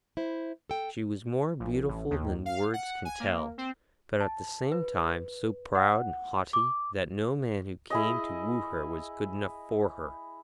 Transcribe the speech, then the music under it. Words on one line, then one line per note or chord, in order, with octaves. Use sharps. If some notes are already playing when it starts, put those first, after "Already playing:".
She was more beautiful than words can tell, but at the same time so proud and haughty that no man who came to woo her was good enough for her.
E4 C5
A4 G5
A#1
A1
D#2
F5
F#5
G#5
A#3
C4
A5
B4
F#5
D6
E4 G#4 D#5